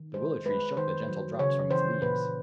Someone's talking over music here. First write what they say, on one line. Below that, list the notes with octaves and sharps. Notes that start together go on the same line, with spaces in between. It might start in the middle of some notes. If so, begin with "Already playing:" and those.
The willow-tree shook the gentle drops from its leaves.
Already playing: D#3
G#3 C5
G#3 B4
D#3 C5
F#3
C#3 C#5
E3 C5
A#2 B4